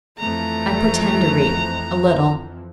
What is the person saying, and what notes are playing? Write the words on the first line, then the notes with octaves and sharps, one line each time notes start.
I pretend to read--a little.
F2 E3 F3 A3 A#5